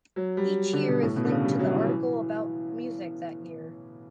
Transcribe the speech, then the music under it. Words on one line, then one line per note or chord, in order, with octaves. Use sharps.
Each year is linked to the article about music that year.
F#3
G3
D3
B2
A2
B2
D3
C#3
G3
G3
F#3
E3
E3